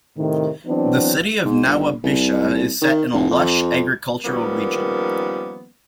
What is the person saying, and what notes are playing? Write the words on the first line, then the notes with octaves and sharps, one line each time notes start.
The city of Nawabshah is set in a lush agricultural region.
A2 C3 D#3
E3 F#3 B3 C4 D4
G#2
G1
C2
D#3
F1
F2
D#3 F3 G3 A#3 B3 C#4